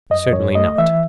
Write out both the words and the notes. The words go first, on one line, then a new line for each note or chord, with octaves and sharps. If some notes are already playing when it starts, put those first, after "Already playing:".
Certainly not.
F#2 D#5
F#2 C#5
A3 D#5
E3 E5